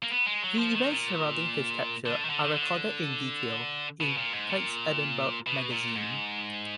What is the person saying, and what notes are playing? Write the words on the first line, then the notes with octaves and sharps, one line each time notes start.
The events surrounding his capture are recorded in detail in "Tait's Edinburgh Magazine".
A#3
B3
G#3
F#3
F3
D#3
A#2
D3
D#3
D3
D#3
D3
B2
A#2
G#2
A#2
B2
A#2
G#2